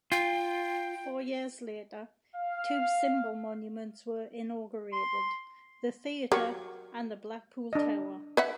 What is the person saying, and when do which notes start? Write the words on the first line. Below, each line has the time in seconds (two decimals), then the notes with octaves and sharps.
Four years later, two symbol-monuments were inaugurated: The Theater and the Blackpool Tower.
0.12 F4 G5
2.36 F5
4.93 C6
6.32 F#3 G4 A#4 C#6
7.73 D4 D#5
8.37 B4 E5 F#5